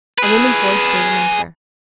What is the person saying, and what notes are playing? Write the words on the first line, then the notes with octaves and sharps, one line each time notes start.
A woman's voice bade him enter.
G#4 B4